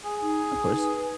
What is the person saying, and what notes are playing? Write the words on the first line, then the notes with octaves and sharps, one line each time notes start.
Of course.
G#4
D#4
B4